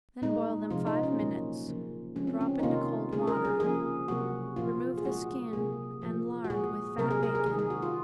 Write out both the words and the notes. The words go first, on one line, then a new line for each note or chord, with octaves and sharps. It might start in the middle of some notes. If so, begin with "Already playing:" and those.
Then boil them five minutes, drop into cold water, remove the skin and lard with fat bacon.
A#2 G#3 D#4
C3 F3 G#3 F4
D#4
C#4
A#2 F#3 A#3
C#3 F3 A#3
C#3 F3 G#3 C#4
C4
C#4
D#4
C3 D#3 A#3 F4
C#3 G#3 G#4
A#4
G#4
C#3 F3 A#3 G#4
C3 F#3 A#3 F#4
A#2 F3 A#3 F4
G#4
C#3 G#3 F#4
C3 F#3 A#3 G#4
A#2 F3 A#3
F#4
A#2 G#3 G#4
C3 F#3 A#3 A#4
G#4
A#4
G#4
D#3 G#3 G#4
G#4
F#4
F4